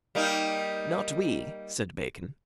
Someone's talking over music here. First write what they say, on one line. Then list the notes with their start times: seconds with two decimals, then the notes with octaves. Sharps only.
"Not we," said Bacon.
0.15 G3 A#3 D#4